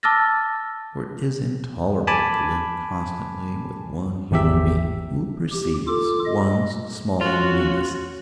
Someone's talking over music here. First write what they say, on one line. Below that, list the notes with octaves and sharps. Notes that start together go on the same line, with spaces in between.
For it is intolerable to live constantly with one human being who perceives one's small meannesses.
A5 D6 E6 F6 A6 A#6
G#5 A5 B5 D6
G#1 E2 G4 E5
G4
F4 A4 D6
D#5
C#4 F4 F#4